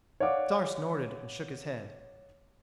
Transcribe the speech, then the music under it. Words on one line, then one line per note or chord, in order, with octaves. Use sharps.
Star snorted and shook his head.
C#5 D5 F5 F#5 D6